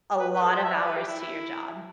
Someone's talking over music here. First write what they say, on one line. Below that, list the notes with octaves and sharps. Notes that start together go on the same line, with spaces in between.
a lot of hours to your job.
B4
B4
A4
C5
E5
D5
B4
G4
E4
E4